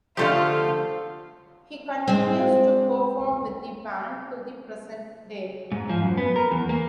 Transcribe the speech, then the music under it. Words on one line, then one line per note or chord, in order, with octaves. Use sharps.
He continues to perform with the band to the present day.
D3 F3 A3 F4 G4 A4 F5
G#3 C4
G#2
F3
F#2
B3
A#4
E2
A#3